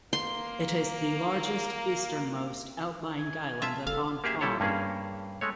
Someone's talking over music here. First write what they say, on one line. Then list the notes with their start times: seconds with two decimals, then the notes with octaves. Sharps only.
It is the easternmost outlying island of Hong Kong.
0.13 A#3 C6
3.19 G#5
3.62 F4 E5 A5
3.87 F#1 A4 F5
4.24 A#3 G4 G#4 E5
4.41 G3 E4 A4 C#5
4.60 G2 A#3 C#4 G#4
5.41 G#3 A3 C#5